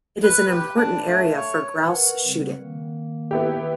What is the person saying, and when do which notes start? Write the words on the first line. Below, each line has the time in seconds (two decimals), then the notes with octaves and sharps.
It is an important area for grouse shooting.
0.23 B4
0.51 G4
0.76 D4
1.06 A3
1.37 C#5
1.84 A#4 B4 F#5
2.24 C#3 G3 C4
2.61 D#3 A#3
3.31 B3 E4 G4